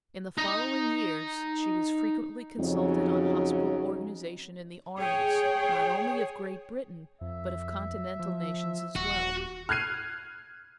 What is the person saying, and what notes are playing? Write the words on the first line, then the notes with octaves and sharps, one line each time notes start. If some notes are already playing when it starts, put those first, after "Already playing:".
In the following years she was frequently consulted on hospital organization in the armies not only of Great Britain but of Continental nations as well.
D#4 A#5
F2 C#3 F#3 D#4
G#4 C#5 G5
F2 E5
F3
D#1 F#4
F6 F#6 G#6 C7 D#7